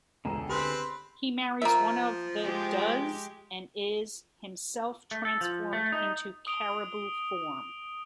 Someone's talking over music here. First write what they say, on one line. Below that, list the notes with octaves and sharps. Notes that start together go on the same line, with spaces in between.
He marries one of the does, and is himself transformed into caribou form.
E1 C#2 D3 G#4 A4 A#5
C4 G4 B4 B5 C6
F3 A#3 E5
G#3 G4
A3
A4
F3
A3
D#4
D#6 D7 F7 G7